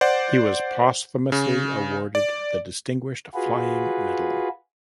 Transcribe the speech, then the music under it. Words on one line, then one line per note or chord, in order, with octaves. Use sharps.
He was posthumously awarded the Distinguished Flying Medal.
C5 D5 F#5
C#3
D5
F4 F#4 G#4 B4